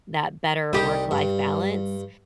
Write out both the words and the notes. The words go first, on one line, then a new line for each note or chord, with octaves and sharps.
that better work-life balance.
C2 G3 D#4 G4 G5
G2